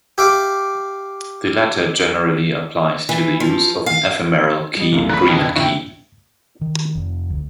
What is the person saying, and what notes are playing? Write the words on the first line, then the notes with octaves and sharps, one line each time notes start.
The latter generally applies to the use of an Ephemeral Key Agreement Key.
G4 E5 F5 D6
E3
F3
F5
G3 D#5
C2 F#2 C#3 A3 D#4
A#2 B4 F#6 B6
F2 B2 D#3
A2 D3 E4 F#4 G5
D#3
F1
D2